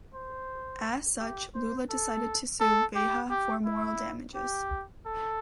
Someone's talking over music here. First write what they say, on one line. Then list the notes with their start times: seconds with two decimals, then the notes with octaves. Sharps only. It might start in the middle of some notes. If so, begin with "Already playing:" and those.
As such, Lula decided to sue "Veja" for moral damages.
0.14 C5
1.20 G4
1.55 C5
1.90 A4
2.60 A4
2.95 G4
3.30 G4
3.65 E4
4.35 G4
5.06 A4